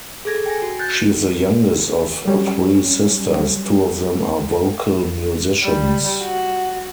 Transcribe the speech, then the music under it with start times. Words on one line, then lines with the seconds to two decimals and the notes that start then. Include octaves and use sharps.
She is the youngest of three sisters, two of them are vocal musicians.
0.25 G#4 A4 G#6 A#6
0.46 G5 G#5 A#6
0.62 F#4
0.79 F#6 G6 A6
2.25 F#3 G3 C#4
5.64 G3
6.22 F#4